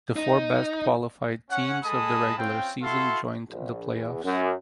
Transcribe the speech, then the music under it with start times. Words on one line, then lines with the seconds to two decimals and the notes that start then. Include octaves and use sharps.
The four best qualified teams of the regular season joined the playoffs.
0.16 D#4
1.51 C#4 F#5
1.84 G#3 A4 G#5 A5 B5 D#6
2.37 C4 C#4 F4 G5
2.82 E4 F#4 A4 F5 C6
3.49 A#1
3.92 E2
4.23 F#2